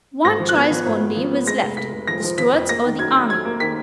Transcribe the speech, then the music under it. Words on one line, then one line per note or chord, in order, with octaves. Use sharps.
One choice only was left, the Stuarts or the army.
G#1 A#6
F3
F#6
B3 G#6
F3
G#1
G#1
F3
B3
G#3 A#6
F1
F1 B6
F1
F3 A#6
F3
F3 B6
F2
A#3 A#6
D#3
F#2 G#6
F#2
F#2 G#6
A#3
D#3 B6